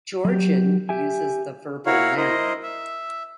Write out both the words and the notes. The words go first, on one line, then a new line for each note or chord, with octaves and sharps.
Georgian uses the verbal noun.
F#3 G4
G4 E5 G#5
E4 F#4 A#4 C#5 F5
E4 A#4 C5 D#5
E5